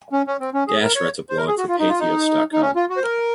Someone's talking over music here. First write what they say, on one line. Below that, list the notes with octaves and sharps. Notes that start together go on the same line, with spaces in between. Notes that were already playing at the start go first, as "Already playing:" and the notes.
Dash writes a blog for Patheos dot com.
C#4
C#4
C4
C#4
G#4
A#4
C#5
C5
A#4
G#4
F#4
F4
D#4
F4
D#4
D#4
C#4
F4
F#4
C5
A#4